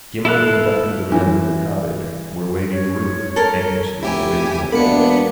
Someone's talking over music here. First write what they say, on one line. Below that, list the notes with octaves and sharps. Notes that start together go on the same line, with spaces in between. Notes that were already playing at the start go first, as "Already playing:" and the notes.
Gimblet conducted the men to the cottage, where Lady Ruth anxiously awaited them.
E4 A4 F5 F#6
E3
C#5
A4 A#4
F1 E4 G4 G#5
E1 A#3 B3 D4 B5 C#7